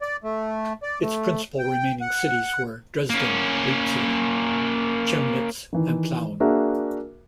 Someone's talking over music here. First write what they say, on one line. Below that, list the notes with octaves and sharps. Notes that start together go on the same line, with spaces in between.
Its principal remaining cities were Dresden, Leipzig, Chemnitz, and Plauen.
D5
A3
D5
A3
G5
F#5
A#3 C#4
D#3 E3
A#3 D4 F#4 G#4 A#4 E5